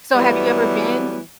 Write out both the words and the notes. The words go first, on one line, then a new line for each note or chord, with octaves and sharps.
So have you ever been
E3 F#3 G3 A3 B3